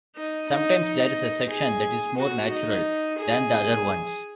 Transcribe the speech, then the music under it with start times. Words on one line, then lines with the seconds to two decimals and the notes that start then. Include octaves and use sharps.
Sometimes, there is a section that is more "natural" than the other ones.
0.15 D#4
0.49 D#4
0.84 D#4
1.50 G#4
2.17 F#4
2.51 D#4
3.19 G#4